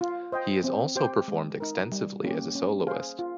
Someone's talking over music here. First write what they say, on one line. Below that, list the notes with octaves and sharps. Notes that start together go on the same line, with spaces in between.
He has also performed extensively as a soloist.
F4
C5 D#5 G5
C4
G4 C5 G5
G#3
D#4 A#4
G3
A#3 C#4 G4
C#4
G#4 C5 F5
F4